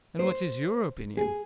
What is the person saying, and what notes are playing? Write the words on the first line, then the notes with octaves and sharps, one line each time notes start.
"And what is your opinion?"
C5
G#4